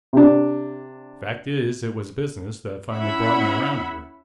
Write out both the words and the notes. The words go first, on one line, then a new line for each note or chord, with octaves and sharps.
Fact is, it was business that finally brought me around here.
C3 D4
C#4 E4 E5 F#5 B5